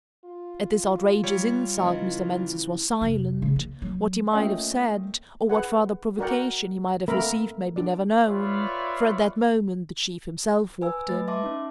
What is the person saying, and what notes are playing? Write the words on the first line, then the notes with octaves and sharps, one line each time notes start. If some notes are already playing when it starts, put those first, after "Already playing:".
At this outrageous insult Mr. Mansus was silent; what he might have said, or what further provocation he might have received may be never known, for at that moment, the Chief himself walked in.
F4
G3 C#5
C#3 E3 D#4
F1
C#3
A#3
F#3
A3 A#3 C#4 F4 D#5 G5
G#4 B4 F#5
F#4 A#4 D5 F#5 G5
A3 A#3 C4 A#4 E5 B5
D4 D5
F4 B4 C#5 D5 E5
B4 G#5 E6
A3 B4 A6
E5 A5 C6 D6
C#4 D#4